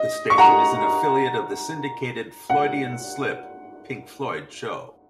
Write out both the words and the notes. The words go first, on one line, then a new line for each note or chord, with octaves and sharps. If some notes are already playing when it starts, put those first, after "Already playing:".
The station is an affiliate of the syndicated Floydian Slip Pink Floyd show.
Already playing: D#5
C#6
F#5 A#5
F#5